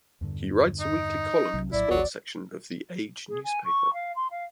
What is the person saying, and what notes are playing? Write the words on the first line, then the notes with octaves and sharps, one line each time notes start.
He writes a weekly column in the sport section of "The Age" newspaper.
E2 G2 D3
D#4
B1 C3 F#3
A#1 A2 F#3 E4 D5
A1 D#2 F#3
G#4
G#5
C#6
F5
C6
F5